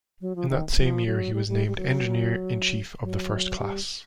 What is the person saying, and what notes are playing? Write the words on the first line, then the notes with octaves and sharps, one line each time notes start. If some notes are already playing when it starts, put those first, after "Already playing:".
In that same year, he was named Engineer-in-Chief of the first class.
F#3
F3
D#3
F3
F#3
G3
G3
G3
F#3
F#3
G3